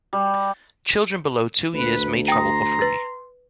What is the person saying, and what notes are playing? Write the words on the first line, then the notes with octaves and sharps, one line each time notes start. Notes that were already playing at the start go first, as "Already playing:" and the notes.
Children below two years may travel for free.
G3
D2 B4
G5 A#5 C6 D#6
B4 A6